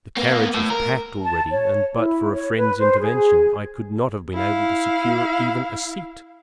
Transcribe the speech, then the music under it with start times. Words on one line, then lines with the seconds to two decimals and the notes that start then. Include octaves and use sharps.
The carriage was packed already and but for a friend's intervention I could not have been able to secure even a seat.
0.17 A#3 B3
0.54 A2
0.70 A#4
1.21 A5
1.51 C#5
1.96 E4
2.32 C#5
2.57 B4
2.79 C5
3.00 G#4
4.34 E4 F5